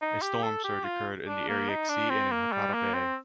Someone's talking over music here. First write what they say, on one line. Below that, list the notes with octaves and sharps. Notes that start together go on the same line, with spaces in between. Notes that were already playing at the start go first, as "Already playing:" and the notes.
A storm surge occurred in the Ariake Sea and in Hakata Bay.
D#4
G4
A4
G4
F4
D4
A#3
D#4
D4
C4
A#3
G3
A#3
C4